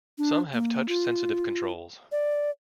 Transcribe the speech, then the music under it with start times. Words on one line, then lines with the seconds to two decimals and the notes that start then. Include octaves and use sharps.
Some have touch-sensitive controls.
0.18 D4
0.53 A#3
0.88 F4
2.12 D5